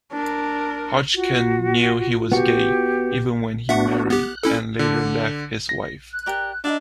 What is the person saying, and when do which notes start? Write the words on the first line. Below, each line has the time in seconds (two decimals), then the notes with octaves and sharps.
Hodgkin knew he was gay, even when he married, and later left his wife.
0.12 D4 A#4
1.15 F4 F#4
2.32 B3 F#4 G4
3.69 B3 D4 F#4 E5 F#5
4.10 B3 G4 F#6
4.43 C#4 E4 A4
4.79 D3
5.69 A#6
6.11 F#6
6.26 G4 A#4 D5
6.64 D4 D#4 F4 E5